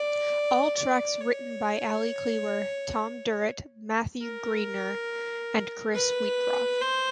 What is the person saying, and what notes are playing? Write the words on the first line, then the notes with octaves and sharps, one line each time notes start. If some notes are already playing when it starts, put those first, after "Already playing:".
All tracks written by Ali Clewer, Tom Derrett, Matthew Greener and Chris Wheatcroft.
Already playing: D5
D5
C#5
A#4
B4
C5